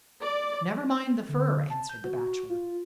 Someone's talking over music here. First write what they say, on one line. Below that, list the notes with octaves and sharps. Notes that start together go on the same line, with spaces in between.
"Never mind the fur," answered the Bachelor.
D5
D3
A5
G6
F#4
F4